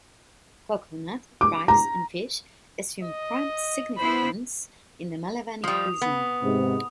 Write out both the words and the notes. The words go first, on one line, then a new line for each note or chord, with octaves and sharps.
Coconut, Rice and Fish assume prime significance in the Malavani cuisine.
D6
A#5
D#5
B3 E4 C5 B5
F3 G3 D#6
B3
G#2 C3